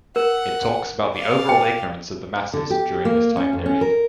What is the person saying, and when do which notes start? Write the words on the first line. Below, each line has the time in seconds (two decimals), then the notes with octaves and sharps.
It talks about the overall ignorance of the masses during this time period.
0.16 A#4 F#5
1.15 D5 F5
1.49 G5
2.53 D3
2.70 G4
3.05 A#3
3.37 C#4
3.53 F2
3.66 C#4
3.81 A#4